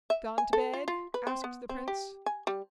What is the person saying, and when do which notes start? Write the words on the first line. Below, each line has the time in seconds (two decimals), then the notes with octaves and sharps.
"Gone to bed?" asked the prince.
0.10 E5
0.38 G#5
0.53 A4
0.74 F4
0.88 F4
1.14 B4
1.27 C4
1.44 B3
1.69 C4
1.88 G4
2.26 G#5
2.47 G3